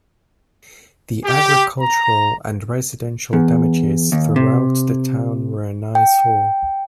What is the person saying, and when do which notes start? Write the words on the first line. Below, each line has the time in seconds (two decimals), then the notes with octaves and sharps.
The agricultural and residential damages throughout the town were an eyesore.
1.24 G4
1.79 A#5
3.33 E2
4.12 D#2
4.36 C3
5.95 G5